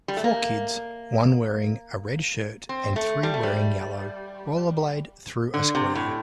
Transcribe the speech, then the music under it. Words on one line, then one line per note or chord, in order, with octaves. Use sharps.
Four kids, one wearing a red shirt and three wearing yellow, rollerblade through a square.
G3
A3
A#3
C4
A3
G3
A3
G3
D3
C3
A2